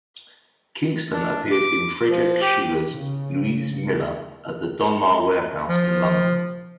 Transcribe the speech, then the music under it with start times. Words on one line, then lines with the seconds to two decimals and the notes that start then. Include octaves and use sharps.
Kingston appeared in Friedrich Schiller's "Luise Miller" at the Donmar Warehouse in London.
1.13 D4
1.52 D6
2.10 F3
2.41 G4
2.92 C#3
5.68 F3